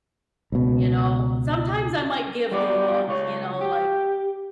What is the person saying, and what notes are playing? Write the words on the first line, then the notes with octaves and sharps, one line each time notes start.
you know? Sometimes I might give the look, you know, like
C#2 B2
G3 B3 D5
C#2 C#5
G4